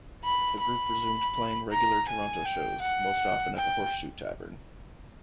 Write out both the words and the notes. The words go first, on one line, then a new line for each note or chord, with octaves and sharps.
The group resumed playing regular Toronto shows, most often at the Horseshoe Tavern.
B5
B5
A#5
G#5
G5
F#5
G5